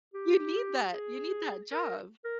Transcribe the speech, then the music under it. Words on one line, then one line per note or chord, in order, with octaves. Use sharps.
You need that, you need that job.
G4
G#4
A#4
A#4